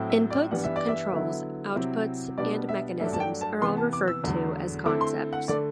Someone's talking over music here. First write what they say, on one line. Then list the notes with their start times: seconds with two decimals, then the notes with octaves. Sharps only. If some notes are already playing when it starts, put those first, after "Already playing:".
Inputs, Controls, Outputs, and Mechanisms are all referred to as concepts.
Already playing: A2 F#3 C4 E4
0.10 E5
0.30 D5
0.51 G2 E3 G3 B3 F#5
0.64 E5
0.76 D5
0.88 E5
1.13 D3 F#3 B3 E4
1.75 C3 F#3 C4 E4
2.38 B2 G3 B3 D4 D5
2.69 E5
3.00 G2 F#3 A3 D4 E5
3.13 A5
3.20 G5
3.41 A5
3.61 C3 E3 B3 C6
3.77 A5
3.93 D6
4.08 E6
4.24 E2 D3 F#3 A3
4.86 D3 A3 C4 E4 D6
5.01 C6
5.33 F#5
5.48 D3 A3 D5